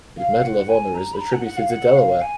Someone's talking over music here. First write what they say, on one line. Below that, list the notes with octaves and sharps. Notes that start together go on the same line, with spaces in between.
His Medal of Honor is attributed to Delaware.
F5
F#5
G#5
A#5
B5
A#5
F#5
F#5
F5
F#5
F5
G#5